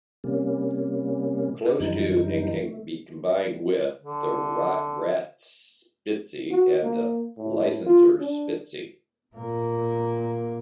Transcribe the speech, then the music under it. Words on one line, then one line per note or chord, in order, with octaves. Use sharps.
Close to, and can be combined with, the Rotgratspitze and Lisenser Spitze.
C3 G3 A#3 C#4
F#2 D3 E3 G3 D#4
A3
D3
F#4
A#3
A2
F4
D4
A#2 A#3